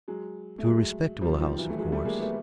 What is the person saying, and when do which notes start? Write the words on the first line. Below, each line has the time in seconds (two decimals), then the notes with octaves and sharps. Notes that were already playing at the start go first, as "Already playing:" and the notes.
"To a respectable house, of course."
0.08 F#3 G#3
0.58 A3
0.64 F#3 G#3
1.21 F3 G3
1.40 D#3 F3
1.59 E3 F#3
1.70 A3
1.78 F#3 G#3
1.92 G3 A3
2.05 G#3 A#3
2.20 A3 B3